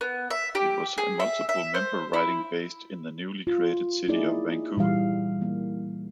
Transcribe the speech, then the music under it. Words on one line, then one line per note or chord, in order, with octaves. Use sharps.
It was a multiple member riding based in the newly created city of Vancouver.
B3
E5
G4
G#4
E5
E5
C5
E4
F4
A#3 D#4 E4 G#4 D5
A#2 E3 G3 F5
E3 A#3